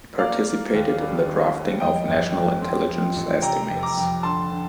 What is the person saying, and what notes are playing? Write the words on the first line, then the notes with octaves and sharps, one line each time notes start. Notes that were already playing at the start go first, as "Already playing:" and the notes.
He participated in the drafting of National Intelligence Estimates.
A#3 D5 F5
A#3
D#2
G3
D#3
D#3
F2 D#5 G5
G1
F2
C4
F3
A1
C3 G5 A#5
F1
A#5 D6
F2
D3 A5 C6
D3